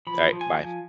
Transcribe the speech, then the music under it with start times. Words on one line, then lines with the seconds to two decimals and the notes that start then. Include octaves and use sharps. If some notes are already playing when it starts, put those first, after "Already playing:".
Alright, bye.
0.07 F3 B5
0.32 F3
0.41 G#5
0.58 F3